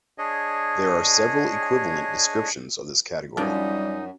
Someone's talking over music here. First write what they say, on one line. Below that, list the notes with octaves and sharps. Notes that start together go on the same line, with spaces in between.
There are several equivalent descriptions of this category.
D4 G#4 C#5 D#5
F#2 F3 G3 D4 D#4